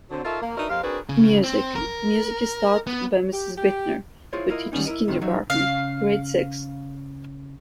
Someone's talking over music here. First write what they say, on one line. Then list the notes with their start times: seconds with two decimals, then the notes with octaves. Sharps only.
Music: Music is taught by Mrs. Bittner, who teaches Kindergarten - Grade Six.
0.10 D3 F#3 C4
0.25 D#4 F4 A4 A#4 C#5 E5
0.42 A#3
0.56 D4 D#4 F#4 A#4 B4 E5
0.69 F2 A#3 G4 C5 F5
0.82 C4 D4 F#4 G#4 A#4 B4
1.09 C#3
1.43 C4
1.76 A#4
2.87 B3
3.33 G4
3.57 G4
4.33 E4 F4 G#4 C5 C#5
4.49 E4 F4 A#4 D#5
4.72 D#3 G3 B3 C#4 D#4
4.85 E4 A#4 D#5
5.08 F2 A2 C3 D#3
5.21 F#3 D#4 F#4 C#5 E5
5.50 C#3 F5